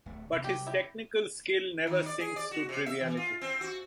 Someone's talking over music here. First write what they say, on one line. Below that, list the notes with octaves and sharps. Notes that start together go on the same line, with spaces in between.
But his technical skill never sinks to triviality.
D1 A3
C3
C3 F#3 G3 G4
E4 G4
D#3
D5
G#4
D5
F#4
C3
E5
E3
F4
C4
F#4